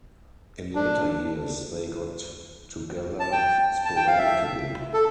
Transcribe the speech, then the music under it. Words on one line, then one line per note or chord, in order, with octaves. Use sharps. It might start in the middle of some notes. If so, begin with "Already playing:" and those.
In later years they got together sporadically.
D4
A5
G5
A5
G5
F5
E5
A4